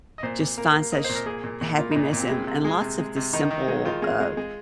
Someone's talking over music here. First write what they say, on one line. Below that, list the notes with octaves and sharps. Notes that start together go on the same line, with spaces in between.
just find such happiness in in lots of the simple, um,
D#5
A#2 C5
A#2
A#3
A#3
A#3 D#5
C5
A#2
A#4
A#3 G#4
A#2
A#2
A#3 F4
D#4
A#2
D#4
A#2 C4
G#3 C4
C3
G#3
C3
G#3
C3
D#3 D#4
D#3
G#3
D#3 F4
G#3
G#3
G#3